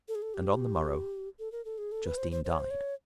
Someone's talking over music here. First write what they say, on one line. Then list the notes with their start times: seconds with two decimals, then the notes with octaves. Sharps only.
And on the morrow Justine died.
0.08 A4
0.15 G#4
0.22 A4
0.34 G4
1.39 A4
1.52 A#4
1.65 A4
1.78 G#4
1.92 A4
2.06 B4
2.18 C5
2.32 C5
2.45 C5
2.52 C#5
2.60 C5
2.71 C#5